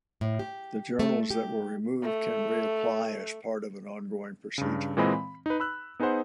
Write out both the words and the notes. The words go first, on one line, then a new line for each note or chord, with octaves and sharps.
The journals that were removed can reapply as part of an ongoing procedure.
A2
G4
A3
G4
A3
G2 C#3
A#2 E3 G#3 C4 D#5 B5
B5
D#4 B4
B5 E6 F#6
B3 D#4 G#4 B4 C5 F#5